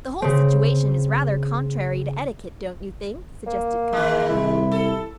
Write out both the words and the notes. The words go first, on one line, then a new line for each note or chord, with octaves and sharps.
"The whole situation is rather contrary to etiquette, don't you think?" suggested Conrad.
C#3 C4
A#3
D#3 G#3
C2 E4
A4